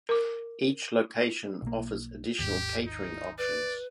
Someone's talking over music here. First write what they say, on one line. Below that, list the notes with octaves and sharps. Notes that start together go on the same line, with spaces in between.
Each location offers additional catering options.
A#4 D6
B1 A#3
G#1 D#2 G4
D#4
B4 D5